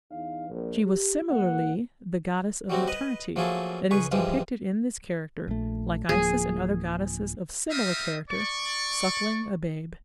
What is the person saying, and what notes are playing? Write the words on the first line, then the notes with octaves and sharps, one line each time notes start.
She was similarly the goddess of maternity, and is depicted in this character, like Isis and other goddesses of similar character, suckling a babe.
E2 E3 D#4 F5
A#1
G4
G#1 A#3 F#5
F#3 G3 A3 C4 F#4
B4 D#5 B5
F3 F#3 A3 A#3 G#4 A4
C#2 G#4 B4 C#6
G2 E3 F3 G3 G#3
A#1 A3
D1 F3 A#3 G#4
G3 C4 D#4 E5 F5 D#6
D5 C#6